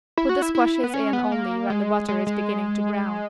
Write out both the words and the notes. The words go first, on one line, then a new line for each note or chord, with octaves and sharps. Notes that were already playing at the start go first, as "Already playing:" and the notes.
Put the squashes in only when the butter is beginning to brown.
E4
F#4
E4
E4
B3
C#4
B3
A#3
G#3
G#3
G#3